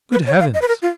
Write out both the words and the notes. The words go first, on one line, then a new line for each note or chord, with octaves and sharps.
Good heavens!
B4
C#5
F5
D#5
B4
A#4
F4